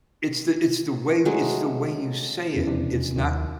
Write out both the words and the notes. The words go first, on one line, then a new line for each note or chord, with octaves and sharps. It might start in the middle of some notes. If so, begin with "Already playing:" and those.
it's the it's the way it's the way you say it, it's not
F#3 G#3 A3
E2 C#3 E4
F2 C3 D4
D#2 D#3 F#3